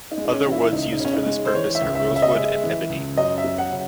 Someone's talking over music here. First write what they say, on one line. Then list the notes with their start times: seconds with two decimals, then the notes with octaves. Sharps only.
Other woods used for this purpose are rosewood and ebony.
0.11 D#4
0.18 G#3
0.25 D#4
0.31 C#4
0.46 E3
0.52 E4
0.63 E4
0.73 C#2 D#4
0.92 D#4
0.99 C#3
1.05 C#4
1.13 D#4
1.26 G#3
1.45 C5
1.55 E3 C#5
1.75 E5
1.82 C#2
1.95 E5
2.09 C#3
2.16 E5
2.22 D#5
2.30 G#3 E5
2.64 E3
2.90 C#2
3.17 F#2 D#5
3.38 E5
3.44 F#3
3.58 F#5
3.72 C#3